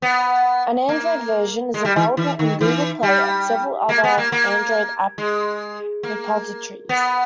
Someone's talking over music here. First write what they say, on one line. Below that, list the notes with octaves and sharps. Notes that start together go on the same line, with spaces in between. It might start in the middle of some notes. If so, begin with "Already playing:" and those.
An Android version is available on Google Play and several other Android app repositories.
B3
A#3
G#3
G3
E3
E3
D#3
E3
G3
A#3
B3
A#3
A#3
G#3
A#3
B3